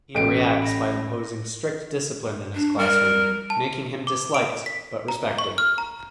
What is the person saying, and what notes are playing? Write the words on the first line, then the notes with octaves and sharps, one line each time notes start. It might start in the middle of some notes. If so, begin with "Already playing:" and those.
He reacts by imposing strict discipline in his classroom, making him disliked but respected.
A1 A4 D#5 G5 D7
B5 A#6
D4
G3 A#4
A5
D6
D7
B6
A#5
C#6
F6
A#5